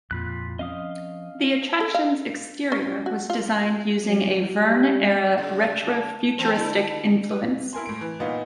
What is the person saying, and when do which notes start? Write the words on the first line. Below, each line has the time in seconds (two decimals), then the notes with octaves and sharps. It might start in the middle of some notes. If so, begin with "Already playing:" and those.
The attraction's exterior was designed using a Verne era retro-futuristic influence.
0.11 F2 A#2 F4 B5 F#6
0.59 F3 C4 C#4 D#5 F5 D#6
1.80 A4
1.94 F5
2.72 C#4
3.06 F#4
3.30 F4
4.05 F#3
4.65 G3
5.38 C#3
5.83 A5
6.38 E3 C4 A#4
6.55 D3 E4
7.29 B4
7.73 E4 A#4 G#5 C6
7.86 A2 D7
8.01 E3
8.20 A#2 B3 D#4 F4